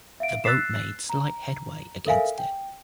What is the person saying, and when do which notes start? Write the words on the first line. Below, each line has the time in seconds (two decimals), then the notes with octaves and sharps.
The boat made slight headway against it.
0.20 E5 F5 D7
0.44 E6 F#6 A6 B6 C7 E7
1.09 A#5
2.06 A4 A#4 E5 F5 G#5
2.38 G5